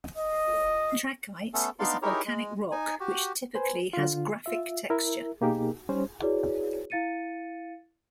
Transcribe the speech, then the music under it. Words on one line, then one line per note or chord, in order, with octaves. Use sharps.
Trachyte is a volcanic rock which typically has graphic texture.
D#5
A3 B3 C#4 A4
B3 D4 D#4 D5 F5 C6
D#4 E4 G4 G#4 A#4 C#5
G#3
D#4 G#5
F#4 G4
B4 C5 G#5
D3 F4
F4 E5
E4 A#4 E5
B2 A#3 D#4 G4 G#4 A#4
G3 C#4 C5
E4 F#4 G#4 B4 C#5 D5
E4 F5 A6 C#7 D#7